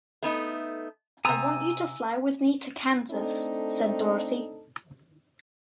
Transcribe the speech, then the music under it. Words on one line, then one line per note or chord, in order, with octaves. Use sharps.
"I want you to fly with me to Kansas," said Dorothy.
A3 B3 D#4
C3 G#5 A#5 D#6 E6
A3 C4 D4 D#4 A4